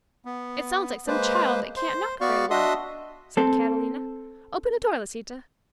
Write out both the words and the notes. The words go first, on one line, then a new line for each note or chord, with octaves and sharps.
"It sounds like some child that can't knock very well," said Catalina. "Open the door, Lisita!"
B3
G#3 A#3 B4 C5
C5 C6
B3 F#4 D5 F5 C#6
D4 F#4 D#5 E5 C6 D#6
C4 A4